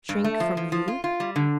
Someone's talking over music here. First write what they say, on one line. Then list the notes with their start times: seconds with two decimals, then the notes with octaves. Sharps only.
"Shrink from YOU?"
0.09 G2
0.24 A3
0.40 F3
0.57 F3
0.72 F3
0.88 F4
1.04 F4
1.20 G3
1.36 D3